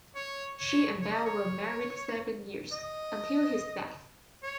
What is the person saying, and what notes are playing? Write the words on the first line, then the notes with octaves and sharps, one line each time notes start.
She and Bell were married seven years, until his death.
C#5
C#5
C#5
D#5
C#5
D#5
C#5